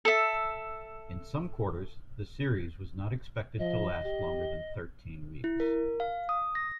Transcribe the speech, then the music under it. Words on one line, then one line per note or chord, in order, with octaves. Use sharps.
In some quarters, the series was not expected to last longer than thirteen weeks.
A4 E5
F3 D#5
G4
E4
A#4
F5
D#6
A#6